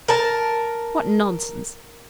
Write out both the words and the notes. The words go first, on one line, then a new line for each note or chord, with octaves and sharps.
What nonsense!
A#4 A5